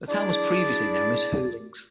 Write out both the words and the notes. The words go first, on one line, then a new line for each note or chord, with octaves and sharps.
The town was previously known as Hulings.
D4 E4 G#4 D5